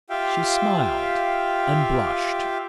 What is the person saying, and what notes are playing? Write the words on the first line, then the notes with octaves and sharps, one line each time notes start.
She smiled and blushed.
F4 G4 E5 F5 G5